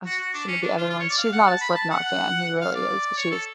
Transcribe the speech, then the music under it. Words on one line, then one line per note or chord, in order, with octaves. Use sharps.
uh, some of the other ones. She's not a Slipknot fan. He really is. But she's.
F#4
F#4
D4
C#4
D4
F4
F4
C#5
D5
F5
F#5
A5
B5
A5
F#5
F5
D5
C#5
A4